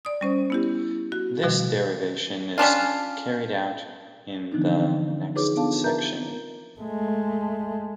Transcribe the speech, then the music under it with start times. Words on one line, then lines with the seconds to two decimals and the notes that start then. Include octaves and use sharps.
This derivation is carried out in the next section.
0.05 D5 D#6
0.21 G3 C#4 C5
0.50 B3 E4 G4
1.12 F#4
1.43 B2 D#3 F3 G3 B4
2.58 G3 C#4 D4 F4
4.52 D3 E3 F3 B3 D4 D#4
5.35 D#4 F4 G#4 B4 C#5 D6
5.56 B3 D4 A4 F5 A5
5.84 A#4 B4 E5 A#5 G6
6.80 G#3 A3